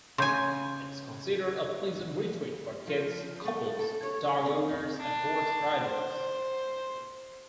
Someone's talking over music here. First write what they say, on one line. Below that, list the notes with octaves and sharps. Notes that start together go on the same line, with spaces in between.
It is considered a pleasant retreat for kids, couples, dog owners and horse riders.
C#3 G#5 C6 G6
F3
A3
A4
C#5
C4
D4
C5